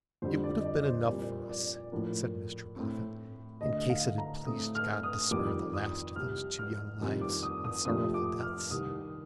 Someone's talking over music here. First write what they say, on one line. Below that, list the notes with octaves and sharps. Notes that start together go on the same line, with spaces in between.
'It would have been enough for us,' said Mr Boffin, 'in case it had pleased God to spare the last of those two young lives and sorrowful deaths.
F2 D3 G3 C5
D5
D#5
D5
C5
A#2 G3 C4 D5
D5
A2 F3 A#3
A2 A3 C4
D2 D3 A3 D#5
F5
A#5
A2 A3 C4 D#6
F6
D#6
F2 D#3 G3 A#3 D6
D#6
C2 C3 G3 F6
F6
F2 C3 D#3 G3 C4
D6
D#6
D#6
F2 C3 F3 A3 C4 D#6
D6
F6
C2 C3 D#3 D#6